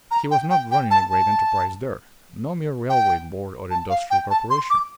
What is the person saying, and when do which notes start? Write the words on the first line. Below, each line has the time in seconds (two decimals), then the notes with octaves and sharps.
He was not running a great enterprise there; no mere railway board or industrial corporation.
0.11 A#5
0.31 G5
0.50 G5
0.71 G5
0.91 A5
1.10 A5
2.90 G5
3.71 A5
3.90 F5
4.10 G5
4.30 A5
4.50 C6
4.70 D6